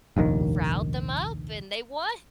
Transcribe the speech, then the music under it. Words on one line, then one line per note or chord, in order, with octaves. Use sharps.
riled them up, and they won.
F1 A#1 D#2 D#3